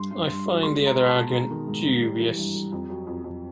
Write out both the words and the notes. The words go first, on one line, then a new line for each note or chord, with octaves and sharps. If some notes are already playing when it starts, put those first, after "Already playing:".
I find the other argument dubious.
Already playing: G2 C6
G2
G2
F#3
G#3 C6
G#3
A#5
G#3
A5
B2
G#3 A#5
D#3
G#2
G#2
G3
E3
G2
G3
F2
F#3
F2
F2